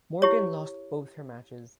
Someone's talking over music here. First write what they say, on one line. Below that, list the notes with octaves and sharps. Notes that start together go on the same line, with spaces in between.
Morgan lost both her matches.
E4 G4 C#5